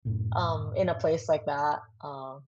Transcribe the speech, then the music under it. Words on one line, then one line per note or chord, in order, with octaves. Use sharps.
um, in a place like that, um,
F#2 A2 C3